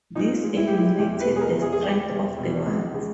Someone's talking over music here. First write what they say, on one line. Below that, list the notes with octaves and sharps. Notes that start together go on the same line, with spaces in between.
This eliminated the strength of the wards.
A#2 D#4
G#3
E4
G#3 G4
E4
E2 G4
B4
B2
G#4
A#4
E2
G#4
G#4
G3 G4
E2
B2
C#2
C#3